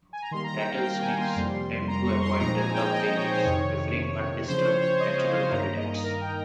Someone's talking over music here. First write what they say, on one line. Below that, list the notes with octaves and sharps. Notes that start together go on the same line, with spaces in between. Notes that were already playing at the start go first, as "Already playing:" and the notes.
Rattlesnakes tend to avoid developed areas, preferring undisturbed, natural habitats.
G#5
A#5
D#3 G3 A#3 C6
A#5
G5
F5
G5
G#5
C6
F2 C3 G3 A#3
A#5
C#6
C6
A#2 F3 G#3 C4 D#4 A#5
G#5
G5
D#5
C#5
C5
F2 C3 D#3 C#5
C#3 F3 C4 C5
C#5
C#5
D#5
F5
C6
G2 D#3 A#3 D#4 A#5
D#5
A#4
G5